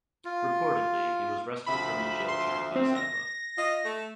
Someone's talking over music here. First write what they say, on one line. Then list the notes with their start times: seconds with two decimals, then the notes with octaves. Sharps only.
Reportedly, he was rescued from a jail term by Zappa.
0.25 F4
1.66 D2 F3 E5 B5
2.28 C6
2.76 C4
2.95 A#6
3.57 F4 D#5
3.85 A3